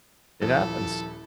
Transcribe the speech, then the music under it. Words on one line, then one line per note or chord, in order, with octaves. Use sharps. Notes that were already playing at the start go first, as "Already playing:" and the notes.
It happens.
D#1 F3 E4 A4